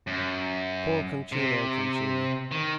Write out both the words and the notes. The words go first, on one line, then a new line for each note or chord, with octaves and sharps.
Poor Concino Concini!
F#2
C3
D#3